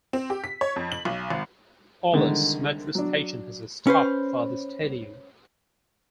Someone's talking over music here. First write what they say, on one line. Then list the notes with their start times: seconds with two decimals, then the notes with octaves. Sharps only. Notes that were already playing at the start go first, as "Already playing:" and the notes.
Ulus Metro Station has a stop for the stadium.
0.13 C4
0.30 G4
0.44 B6
0.61 C#5
0.76 F2
0.92 F#7
1.05 B1
1.30 G#1
2.12 C2 D3 D#3 G#3
2.95 F#3 D4
3.87 C#4 B4 C5